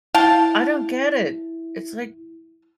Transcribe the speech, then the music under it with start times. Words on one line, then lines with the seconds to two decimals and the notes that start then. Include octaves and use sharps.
I don't get it, it's like
0.15 E4 F5 G5 A5